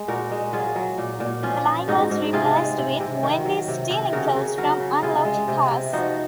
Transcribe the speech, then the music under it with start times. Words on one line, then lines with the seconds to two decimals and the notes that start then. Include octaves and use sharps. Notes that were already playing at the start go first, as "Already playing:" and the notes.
The line was replaced with: "Wendy's stealing clothes from unlocked cars".
Already playing: G#3 G#4
0.08 A#2 F#4 A#4
0.31 G#3
0.53 F#3 F4 G#4
0.76 F#3
0.98 A#2
1.20 A#2
1.43 F3 C#4 F4
1.65 F3
1.88 G#2 D#4 F#4
2.11 G#2
2.33 C3 F4 G#4
2.55 G#3
2.78 C3
3.00 C3
3.23 D#3
3.45 F#3
3.68 C3
3.90 C3
4.12 C#3 F#4 A#4
4.36 C#3
4.58 F#3 F#4 A#4
4.80 C#3
5.02 C3 F4 G#4
5.25 G#3
5.48 C3
5.71 C3
5.93 F3 D#4 F#4